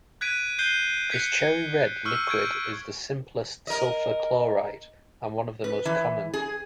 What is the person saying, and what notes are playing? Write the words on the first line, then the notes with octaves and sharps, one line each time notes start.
This cherry-red liquid is the simplest sulfur chloride and one of the most common.
F#6 G#6 B6 D7 D#7
F#6 G6 C7 D#7 G7
F#6 G#6 B6 C#7
C#6 E6 F6
C#6 G6 G#6 D7
A#4 D#5
B4
E3
G#4